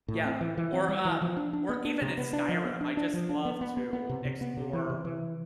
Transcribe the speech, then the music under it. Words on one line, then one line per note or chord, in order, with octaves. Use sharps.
Yeah, or, um, or even in Skyrim, I just love to explore
A2
C4
E3
E3
C4
G3
E3
F3
D4
D4
B3
D4
C3
B3
D4
F3
B3
D4
D4
F3
D4
B3
B3
B3
B3
C3
C3
B3
C3
E3
C3
E3